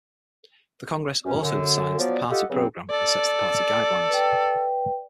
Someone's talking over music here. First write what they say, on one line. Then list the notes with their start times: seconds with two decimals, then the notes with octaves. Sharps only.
The congress also decides the party program and sets the party guidelines.
1.25 F#2 C#4
1.42 F#2 D3
1.98 F3 F#3 B3 D5
2.30 F4 G4 A4 D#5 F#5
2.50 G2 C#3 F#3 C4
2.90 A4 D5
4.10 B4 G5